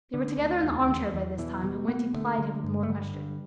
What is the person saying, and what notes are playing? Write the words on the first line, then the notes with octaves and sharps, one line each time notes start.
They were together in the armchair by this time, and Wendy plied him with more questions.
D3
D2
E2
E2
E2
B2 E3
B2 G3
B2 B3
D3 A3
D3
G2
A3
D3 G3
G2